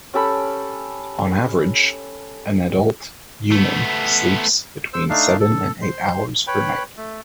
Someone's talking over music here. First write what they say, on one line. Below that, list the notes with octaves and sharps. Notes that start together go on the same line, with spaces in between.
On average, an adult human sleeps between seven and eight hours per night.
C#4 G4 A4 B5
A3 B3
C5 E6
A3 D4 D#4 F5
A4
C5 C6
B4 C#5 G5 B5
A3